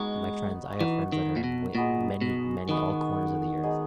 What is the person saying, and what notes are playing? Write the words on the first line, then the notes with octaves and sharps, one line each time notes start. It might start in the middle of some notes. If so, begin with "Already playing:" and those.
My friends I have friends that are in w many, many all corners of the Earth,
Already playing: G#3 B3 D#4 F#4
E3 B3 D#4 F#4
D#3
A#2
B2
A#2 G#3 B3 F#4
B2
D#3 G#3 B3 F#4
G#3 B3 D#4 G#4